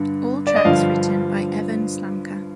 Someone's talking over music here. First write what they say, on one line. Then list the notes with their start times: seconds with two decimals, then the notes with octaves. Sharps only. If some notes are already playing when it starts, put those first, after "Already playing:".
All tracks written by Evan Slamka.
Already playing: G2 D3
0.47 D5
0.56 D#5
0.65 G2 D3 F3 F5